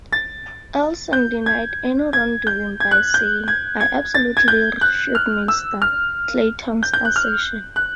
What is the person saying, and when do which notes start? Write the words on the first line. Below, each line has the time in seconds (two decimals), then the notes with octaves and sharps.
Olsen denied any wrongdoing by saying ...I absolutely refute Mr Clayton's assertion.
0.13 A6
1.13 G6
1.46 G#6
2.13 G#6
2.47 G6
2.80 G#6
2.91 F#6
3.14 G6
3.48 G#6
3.81 G#6
4.14 A6
4.37 G#6
4.48 G6
4.81 F#6
5.15 F6
5.48 E6
5.82 F6
6.83 G6
6.94 G6
7.05 F#6
7.16 F6
7.76 F#6